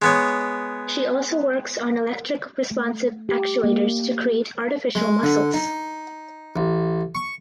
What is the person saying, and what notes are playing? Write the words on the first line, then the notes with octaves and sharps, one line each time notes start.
She also works on electric responsive actuators to create artificial muscles.
G#3 B3 C#5
A3
G4
A#3
G#3
D3
D#4
A1
C#6